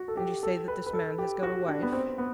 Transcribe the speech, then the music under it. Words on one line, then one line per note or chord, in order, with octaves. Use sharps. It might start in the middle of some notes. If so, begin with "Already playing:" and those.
"And you say that this man has got a wife?"
Already playing: F#4
A4
G4
A4
B4
B4
A4
G4
F#4
D4
B3
C4
B3